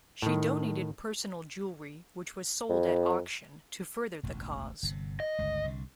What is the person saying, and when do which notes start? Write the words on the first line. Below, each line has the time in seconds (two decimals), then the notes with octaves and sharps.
She donated personal jewelry which was sold at auction to further the cause.
0.22 A2 D#3
2.69 F2
4.23 E1 A1 D2
4.83 G1 C3
5.20 D#5
5.39 G1 C#2
5.64 C2 D3